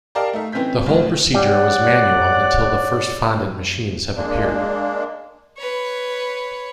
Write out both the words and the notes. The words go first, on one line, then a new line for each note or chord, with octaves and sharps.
The whole procedure was manual until the first fondant-machines have appeared.
G4 A#4 D5 D#5 F5 A5
A3 D#4 E5
E3 C4 C#4 B4 G6 B6
B1 A2 F3
G3 C#5 D5 F#5
G#3 A#3 D4
B4 C#5